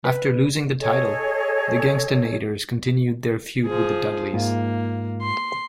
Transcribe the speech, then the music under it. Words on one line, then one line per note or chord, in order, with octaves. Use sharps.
After losing the title, The Gangstanators continued their feud with the Dudleys.
B4
G#4 A4 C#5 D#5
F3 G#4
G#2 A#3 F4
C6